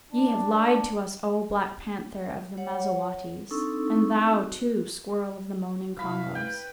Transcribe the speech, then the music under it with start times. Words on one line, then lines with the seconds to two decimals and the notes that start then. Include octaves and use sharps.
'Ye have lied to us, O Black Panther of the Mazawattees - and thou, too, Squirrel of the Moning Congos.
0.12 D4
2.57 C#5 F#5
3.51 C4 D4 D#4 A4 C#6 E6
4.31 F#4
5.99 C3 E4 F#4 F5 B5
6.35 B4 G5